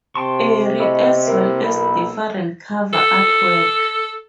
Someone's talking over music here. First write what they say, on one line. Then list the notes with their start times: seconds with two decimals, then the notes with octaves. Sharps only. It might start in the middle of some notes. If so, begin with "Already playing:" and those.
Arie, as well as different cover artwork.
0.15 C3 G5 A5 C6 C#6
0.80 A3 C#4 E4 D#5 E5
1.27 A#3 E4 A#4
1.62 B1 B5
2.93 A4